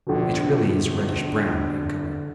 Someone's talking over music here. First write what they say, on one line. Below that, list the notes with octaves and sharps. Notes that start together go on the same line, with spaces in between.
It really is reddish-brown in color.
A#1 B2 D3